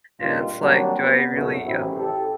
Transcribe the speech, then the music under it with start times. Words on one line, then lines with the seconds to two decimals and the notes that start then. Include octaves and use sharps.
And, it's like, do I really, um,
0.20 G#1 G2 A#2 A#3 D#4 F4
0.61 D#3 F#3 G3 A#3 C4 D4
0.99 B3
1.33 B1 F#2 A#2 C#3 F#3 A3
1.67 A1 C4 E4
1.96 G4 A4